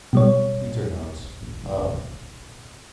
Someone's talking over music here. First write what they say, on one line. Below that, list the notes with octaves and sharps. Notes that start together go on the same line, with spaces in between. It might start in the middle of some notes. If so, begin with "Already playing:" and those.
Internodes, of.
B2 G3 C#5